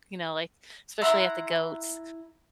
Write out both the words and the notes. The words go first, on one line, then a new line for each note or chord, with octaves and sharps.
you know, like, especially at the goats
E4 F#5 A#5 C6